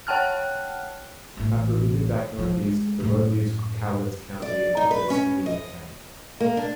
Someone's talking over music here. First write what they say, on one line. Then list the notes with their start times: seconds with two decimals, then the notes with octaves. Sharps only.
After looping back northeast, the road leaves Cowlitz County and enters Skamania County.
0.07 C#5 F#5 G5 A5 F6 F#6
1.37 A1 E3
2.39 F3
2.63 G#3
3.00 F#2 A2
4.42 D5
4.77 D#4
4.91 B4
5.10 C#4
5.46 D#5
6.40 A#3
6.57 D4